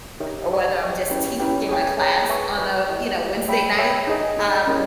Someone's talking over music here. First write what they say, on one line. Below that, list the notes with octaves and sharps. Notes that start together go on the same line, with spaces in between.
or whether I'm just teaching my class on a, you know, Wednesday night, um,
D#4 G4 A#4 C#5 E5
G#4 B4 D#5 G5 C#6
G#4 B4 D#5 G5 C#6
C#4 E4 G4 B4 G5
C#4 E4 G4 B4 G5
G#4 C#5 G5
G#4 C#5 G5
B4 E5 G#5 C#6
B4 E5 G#5 C#6
E4 G4 A#4 D#5
E4 G4 A#4 D#5
G#4 C#5 E5 G5 B5
G#4 C#5 E5 G5 B5
D#4 G#4 D#5
D#4 G#4 D#5
C#4 E4 G4 A#4 D#5